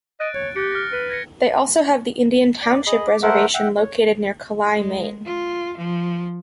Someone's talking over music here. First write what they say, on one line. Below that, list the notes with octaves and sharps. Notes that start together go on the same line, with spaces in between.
They also have the Indian Township Reservation, located near Calais, Maine.
D#5 F#6 A6 D7
C#5
G4 F#6 A6 C#7
F6 A#6
B4
G#6 A#6 C#7
D5
G#4 D#5 B5
D6
A3 A#4 C5 E5 F#5
E5 F#5 G5
C#5
G#3
F4
F3